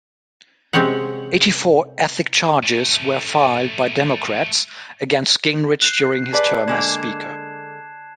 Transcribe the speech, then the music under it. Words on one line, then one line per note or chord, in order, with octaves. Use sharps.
Eighty-four ethics charges were filed by Democrats against Gingrich during his term as Speaker.
C3 G#3 C4 C#4 C#5 F#5
A3 C#4
F#6 G6 C7
G#4 B4 D5 A5
D3 G#3 A#3 G#6 E7